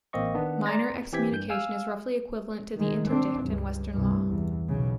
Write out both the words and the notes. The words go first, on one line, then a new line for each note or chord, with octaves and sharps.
Minor excommunication is roughly equivalent to the interdict in Western law.
A1 A#3 C4 D#5 C#6
D#3 B3 D4
D5 A#5 C6 A6 A#6
E3 C4 G4 G5 G#6 B6
G2 G6
F5 G#5 E6 F6
D#3 G#3
C4 D4
C#2 G2
C2 G2
E2
B1 C#3